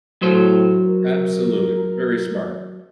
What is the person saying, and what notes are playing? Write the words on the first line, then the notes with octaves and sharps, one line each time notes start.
Absolutely, v very smart.
A2 F#3 C5
A#4